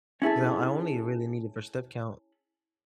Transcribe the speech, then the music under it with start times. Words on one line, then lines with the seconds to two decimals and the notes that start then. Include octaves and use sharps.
'cause I o I only really need it for step count.
0.22 C#4 E4 G#4 A4